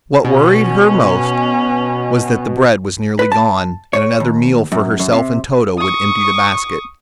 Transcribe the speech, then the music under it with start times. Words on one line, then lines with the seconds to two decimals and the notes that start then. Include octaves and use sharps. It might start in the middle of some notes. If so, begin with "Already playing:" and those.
What worried her most was that the bread was nearly gone, and another meal for herself and Toto would empty the basket.
0.24 B2 C#4
3.19 B4
3.32 A5
3.93 C#5
4.20 D#2
4.72 F#2
4.99 F#2
5.12 C3
5.78 C#6 D#6